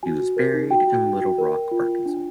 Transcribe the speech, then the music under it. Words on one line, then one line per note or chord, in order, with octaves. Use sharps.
He was buried in Little Rock, Arkansas.
F#4 G#5
F#4
A#4
D#4
F#4 G5
F#4
D#4
F#4
A#4
A#4
F4
F4
D4